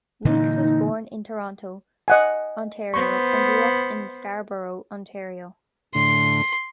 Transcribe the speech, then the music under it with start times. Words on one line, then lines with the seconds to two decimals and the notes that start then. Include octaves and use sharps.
Weekes was born in Toronto, Ontario, and grew up in Scarborough, Ontario.
0.25 A#2 D3 E3 D#4
2.08 D#5 F#5 G#5
2.94 B3 C5 C#6
5.95 A2 D3 C6